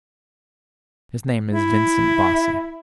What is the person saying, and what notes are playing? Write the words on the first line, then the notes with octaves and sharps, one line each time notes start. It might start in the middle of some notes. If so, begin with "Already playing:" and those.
His name is Vincent Bosse.
E4